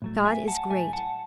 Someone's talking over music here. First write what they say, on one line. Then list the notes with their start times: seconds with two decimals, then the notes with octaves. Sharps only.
God is great.
0.02 A2 F#3 A3
0.25 E5 G#5
0.48 F#5 A5
0.70 A2 F#3 A3 E5 G#5
0.93 F#5 A5